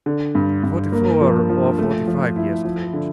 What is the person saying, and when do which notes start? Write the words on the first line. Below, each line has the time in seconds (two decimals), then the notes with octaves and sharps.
"Forty-four or forty-five years of age."
0.06 D3
0.35 G2
0.63 G2
0.92 A#3
1.21 F3
1.49 F3
1.78 A3
2.07 F3
2.36 E4
2.65 F3
2.93 D3